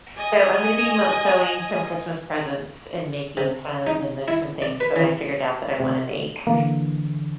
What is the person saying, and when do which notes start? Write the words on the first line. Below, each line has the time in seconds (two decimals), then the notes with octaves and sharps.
So, I'm gonna be mo sewing some Christmas presents and making some, and there's some things that I figured out that I wanna make,
0.18 D#5 G#5
3.37 C3
3.87 D#4
4.28 E4
4.62 D5
4.80 B4
4.96 E3
5.80 C3
6.47 D3 E3 A#3